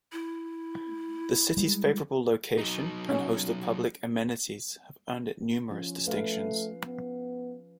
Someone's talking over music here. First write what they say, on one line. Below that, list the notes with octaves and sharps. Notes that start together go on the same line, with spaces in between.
The city's favorable location and host of public amenities have earned it numerous distinctions.
E4
G3 G#3
F#3 D#4
C#4
F3 C#4 F4
A3 B4 F5
B3